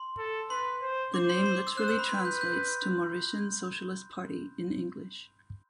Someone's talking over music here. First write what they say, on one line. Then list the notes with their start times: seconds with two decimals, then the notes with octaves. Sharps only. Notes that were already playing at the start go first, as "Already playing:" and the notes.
The name literally translates to "Mauritian Socialist Party" in English.
Already playing: C6
0.18 A4
0.50 B4 C6
0.82 C5
1.14 C5 D6
1.30 C6
1.46 C6
1.56 D6
1.67 E6
1.77 C5 F#6
1.88 E6
1.99 B5
2.09 B4 C6
2.25 G6
2.41 G6